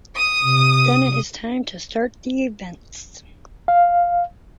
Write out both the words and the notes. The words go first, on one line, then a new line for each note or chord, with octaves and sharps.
Then it is time to start the events.
D#6
C3
F5